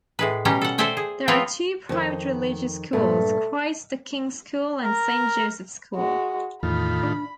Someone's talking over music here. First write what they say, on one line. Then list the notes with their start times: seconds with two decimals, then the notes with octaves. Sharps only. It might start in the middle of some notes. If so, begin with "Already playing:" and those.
There are two private religious schools: Christ the King School and Saint Joseph School.
0.19 A2 G#3 B4
0.45 B2 G3 C#4 G4 A#5
0.61 A4 F#5
0.78 A4 C5 D5 E5 G5 G#5
0.97 G#4
1.28 F3 B3 C4 F4 B4 C#5
1.89 F2 D#3
2.93 G2 A#2 A3
4.84 A#4
5.95 G#3 F#4
6.63 E2 A2 D#3 F4 B5
7.03 D4